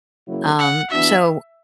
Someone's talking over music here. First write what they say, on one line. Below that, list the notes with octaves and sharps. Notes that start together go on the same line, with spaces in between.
Um, so,
C#3 F#3 A#3 E4
F#5
E3 B3 D4 F#4 E5